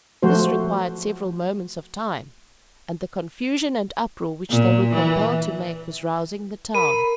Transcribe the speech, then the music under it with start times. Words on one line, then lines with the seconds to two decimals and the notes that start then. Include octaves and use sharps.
This required several moments of time, and the confusion and uproar which they were compelled to make was rousing the town.
0.23 F3 A3 F#4 C5
4.50 A#2
4.94 E3
6.75 A#4 B5 D#7